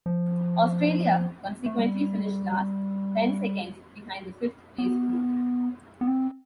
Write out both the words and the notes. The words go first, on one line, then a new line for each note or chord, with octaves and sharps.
Australia, consequently, finished last, ten seconds behind the fifth place crew.
F3
A3
G3
B3
B3
C4